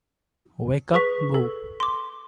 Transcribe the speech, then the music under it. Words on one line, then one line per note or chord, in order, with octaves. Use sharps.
Wake Up Boo!
G#4 B4 C#6 B6
A4
C6 D6